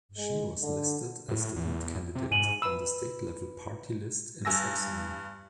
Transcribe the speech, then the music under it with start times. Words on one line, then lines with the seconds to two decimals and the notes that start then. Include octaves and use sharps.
She was listed as the lead candidate on the state-level party list in Saxony.
0.17 G#3
0.62 D3
1.28 A2
1.56 E2
2.15 C3
2.31 G#2 G#5 D#7 F#7
2.62 B4 B5 E6
4.45 G2 G#5 E6 A#6